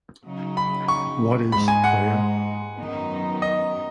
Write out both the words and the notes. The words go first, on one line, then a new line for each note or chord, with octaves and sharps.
What is prayer?
C#3 F#3 D#4
B5
C#6
G#2 G#3 D#4 B5
G#5
F#5
F#2 D#3 B3 D#4
D#5